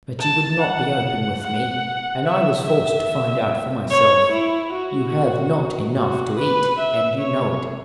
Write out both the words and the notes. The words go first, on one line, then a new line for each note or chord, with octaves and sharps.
But you would not be open with me, and I was forced to find out for myself: you have not enough to eat, and you know it.
A5
F#5
F#5
E5
E5
C#5
E4
F#4
F#4
B4
E5
C#5